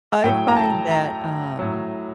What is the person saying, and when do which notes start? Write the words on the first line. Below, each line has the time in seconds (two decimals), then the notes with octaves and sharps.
I find that, um,
0.24 A2 F#3 G5
0.48 A#5
0.57 A5
0.91 A#5
1.59 A2 F#3